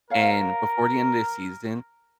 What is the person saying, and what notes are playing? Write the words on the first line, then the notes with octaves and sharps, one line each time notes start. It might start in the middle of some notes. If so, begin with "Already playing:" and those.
and before the end of the season,
A#4 C#5 F5 F#5